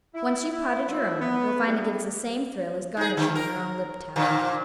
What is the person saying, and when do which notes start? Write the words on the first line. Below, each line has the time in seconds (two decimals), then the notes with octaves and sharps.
Once you've potted your own, you'll find it gives the same thrill as garnishing your own Liptauer.
0.15 E4
0.52 E4
0.88 F3 E4
1.20 B3
1.67 G3 B3 D4 E4 G#4
2.97 D#4 G#4
3.17 D3
3.35 A#4
4.16 A#2 D3 F3